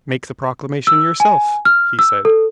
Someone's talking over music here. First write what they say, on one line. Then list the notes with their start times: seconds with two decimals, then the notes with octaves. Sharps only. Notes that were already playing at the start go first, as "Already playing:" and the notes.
Make the proclamation yourself, he said.
0.87 E6
1.20 G#5
1.65 F6
1.99 E6
2.25 A4